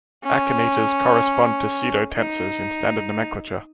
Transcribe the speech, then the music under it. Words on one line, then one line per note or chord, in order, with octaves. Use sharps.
Akinetors correspond to pseudotensors in standard nomenclature.
C#4
D#4